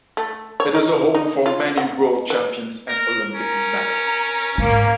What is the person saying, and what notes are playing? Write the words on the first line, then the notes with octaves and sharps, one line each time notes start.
It is a home for many world champions and Olympic medalists.
A3
C#5
D#4
D#4
F4
F#5
B4
A#4
C#4 A#4 A#5
G#2 A#3 A#4